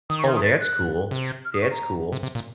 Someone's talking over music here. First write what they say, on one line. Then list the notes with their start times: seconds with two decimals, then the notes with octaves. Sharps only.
Oh, that's cool that's cool.
0.10 D#3 D#6
0.19 C#6
0.27 C6
0.35 D#6
0.44 A6
0.61 F#6
1.11 C3
1.45 F6
1.53 D#6
1.62 C#6
1.71 A#5
2.12 C3
2.23 C3
2.35 A#2